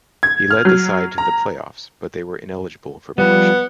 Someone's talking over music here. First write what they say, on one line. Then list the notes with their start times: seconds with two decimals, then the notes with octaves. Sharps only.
He led the side to the playoffs, but they were ineligible for promotion.
0.23 G#6
0.51 F6
0.65 F#3
1.18 A#5
3.18 F3 G3 B3